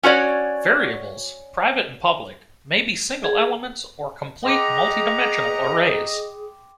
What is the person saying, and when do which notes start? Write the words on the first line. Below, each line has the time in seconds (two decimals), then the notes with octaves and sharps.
Variables, private and public, may be single elements or complete multi-dimensional arrays.
0.03 C#4 F#4 C#5 D5
3.24 G#4
4.44 G4 G#4 D#5 F#5 G5 A#5 C6 D6